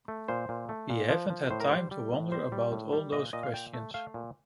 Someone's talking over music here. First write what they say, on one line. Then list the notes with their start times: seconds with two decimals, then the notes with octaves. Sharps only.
We haven't had time to wonder about all those questions!
0.08 A3
0.28 A#2 C5
0.49 A#2
0.69 A3
0.90 A#2
1.10 F3
1.30 F3
1.50 A2 C5
1.60 A#4
1.70 G3 C5
1.91 G3
2.12 A2
2.32 G3 C5
2.52 G3
2.72 A2
2.93 G3
3.12 A#2 D#5
3.33 A#2 D#5
3.43 F5
3.53 A#2 G5
3.74 A3
3.94 A3 F5
4.14 A#2